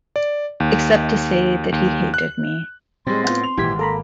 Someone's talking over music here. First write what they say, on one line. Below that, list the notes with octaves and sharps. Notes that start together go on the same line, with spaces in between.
Except to say that he hated me.
D5
D#2
D#2
F#6
A2 G3 G#3 C4 C6
B3 F4 C6
F7
G#1 A#2 E3 G4 G#6 B6
A#3 A4 A#5 B5